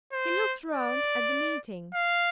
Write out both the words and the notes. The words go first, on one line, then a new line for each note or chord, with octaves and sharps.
He looked round at the meeting.
C5
D5
F5